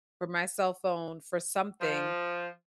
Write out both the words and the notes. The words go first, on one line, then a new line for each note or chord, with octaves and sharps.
for my cell phone for something
F3